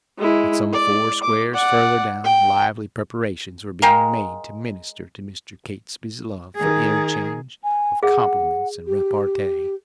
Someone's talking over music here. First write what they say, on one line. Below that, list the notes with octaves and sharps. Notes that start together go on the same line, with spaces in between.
But some four squares farther down lively preparations were being made to minister to Mr. Catesby's love for interchange of compliments and repartee.
G#3 E4
D5
D6
D5 F#5
G5
G#3 A#4 F5 G5
D#3 G#4
G#5
G#4 F#5
G4